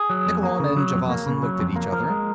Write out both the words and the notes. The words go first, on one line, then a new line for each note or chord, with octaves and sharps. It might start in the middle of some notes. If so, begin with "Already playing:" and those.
Nikkolon and Javasan looked at each other.
Already playing: G#4
F#3
F2
A#3
C#3
F#3
F2
A#3
C#3
F#3
F2
A#3
F3 A#4
G#3